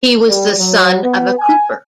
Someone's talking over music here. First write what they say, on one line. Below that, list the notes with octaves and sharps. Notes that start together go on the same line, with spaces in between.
He was the son of a cooper.
G3
F#3
B3
G#5